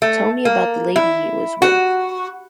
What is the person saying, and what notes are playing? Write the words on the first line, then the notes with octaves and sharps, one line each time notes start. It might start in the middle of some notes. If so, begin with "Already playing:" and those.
Tell me about the lady he was with.
A3
A#3
E4
F#4